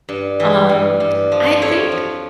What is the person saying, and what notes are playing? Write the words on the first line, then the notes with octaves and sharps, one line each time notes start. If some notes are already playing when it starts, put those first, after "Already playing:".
um, I think
G2
E3
G2
G2
F3
F2 C#5
F3